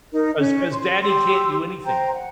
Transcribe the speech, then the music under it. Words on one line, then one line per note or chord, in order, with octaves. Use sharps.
'cause 'cause daddy can't do anything wrong.
D#4 A#4
C#4
C6
G4 C6 E6
C5 G5 A#5
F#5